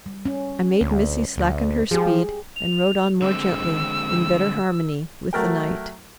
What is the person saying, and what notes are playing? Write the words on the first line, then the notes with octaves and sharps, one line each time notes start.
I made Missy slacken her speed, and rode on more gently, in better harmony with the night.
G3
C#4
D2
D2
F3 G4 G#4
F7
D3 G#3 C4 E6
F#3 A3 A#4 G5